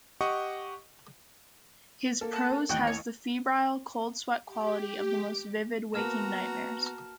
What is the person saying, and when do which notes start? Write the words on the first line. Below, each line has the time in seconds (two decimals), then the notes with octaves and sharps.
His prose has the febrile, cold-sweat quality of the most vivid waking nightmares.
0.21 G4 D#5 F#5 C#6 D#6
2.21 A#3 A4
2.33 F#4 A5
2.69 A1 D#2 F#4 G5 C#6 F#6
2.87 C#5
4.47 G4
5.94 A#3 B3 F#4 B4 A5 A#5 F6 E7